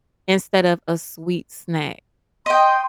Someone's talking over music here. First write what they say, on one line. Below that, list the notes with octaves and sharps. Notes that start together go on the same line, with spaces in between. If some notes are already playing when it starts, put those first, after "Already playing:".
instead of a sweet snack,
D#5 G5 C6